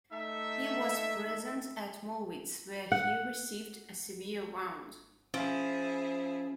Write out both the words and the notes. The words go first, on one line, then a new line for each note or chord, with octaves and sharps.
He was present at Mollwitz, where he received a severe wound.
A3 D#4 E5
F#5
F3 C#4 E4 G#4